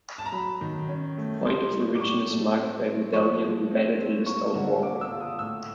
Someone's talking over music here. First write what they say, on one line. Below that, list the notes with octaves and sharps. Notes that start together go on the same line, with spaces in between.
The point of origin is marked by a medallion embedded in the stone walkway.
A5
A#5
F#3 B5
D#3
C#4
A3
G3 C6
E4
D6
A2 C#6
A3
C4
C4
F3 C#6
G#3
C4
C4
A#3 C#6
D3
A#3 D6
E6
F4
D#6
A2 E6